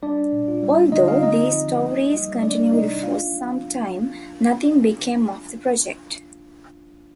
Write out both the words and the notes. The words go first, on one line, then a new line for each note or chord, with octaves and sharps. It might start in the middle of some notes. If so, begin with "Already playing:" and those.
Although these stories continued for some time nothing became of the project.
G3 D4 D5
D4
A#2
F4
G3
D4
D3 D#4 D#5
D3 F4 F5
C4 D#4 D#5
F4
F3
F3
A#3
D#4
G3
G3
D#3 D4 D5
A#3
C3 D#4 D#5
D4
A#3 F4 F5
D#4
F3